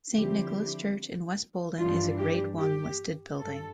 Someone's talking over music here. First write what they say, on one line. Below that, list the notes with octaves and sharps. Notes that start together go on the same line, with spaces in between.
Saint Nicholas Church in West Boldon is a Grade One listed building.
D3 F3 C4 E4 G4
G2 E3 G3 D4 F4
G4
G4
G2 A4